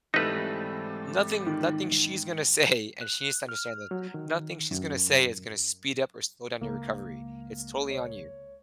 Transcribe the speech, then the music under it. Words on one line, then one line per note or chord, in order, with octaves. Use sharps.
nothing nothing she's gonna say, and she needs to understand that nothing she's gonna say is gonna speed up or slow down your recovery. It's totally on you.
G#2 E3 G3 A3 C4 D#4 B4
D#3
F#6
F6
F#3
D#3
F#2
C#2 A#3
C#5